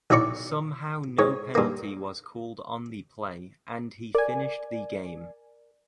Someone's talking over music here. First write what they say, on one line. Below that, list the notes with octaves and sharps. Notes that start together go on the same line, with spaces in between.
Somehow no penalty was called on the play and he finished the game.
B1 F#3 E4 D5 C#6
G#2 C#5
G2 A#3
A#4 D5 G#5